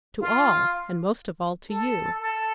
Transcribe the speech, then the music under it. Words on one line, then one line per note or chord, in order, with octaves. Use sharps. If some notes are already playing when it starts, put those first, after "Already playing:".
"To all, and most of all to you."
F4
A4
A4